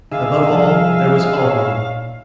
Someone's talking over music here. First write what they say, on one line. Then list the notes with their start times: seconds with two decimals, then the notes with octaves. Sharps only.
Above all, there was Almah.
0.12 D3 D#4 G#4 E5 F5
0.49 C2 F3
1.44 A#2 C#5